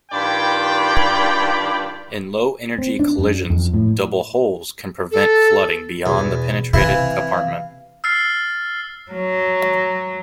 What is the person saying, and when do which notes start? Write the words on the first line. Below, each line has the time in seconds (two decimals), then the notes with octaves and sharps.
In low-energy collisions, double hulls can prevent flooding beyond the penetrated compartment.
0.11 G2 D#3 F4 D5 G5 B5
2.78 C4
2.99 D4
3.18 F#2
3.50 F2
3.74 A2
5.11 A4
6.06 E2 B2
6.73 C3 E3 E4 F5
8.04 E6 F6 A6 C7
9.11 F#3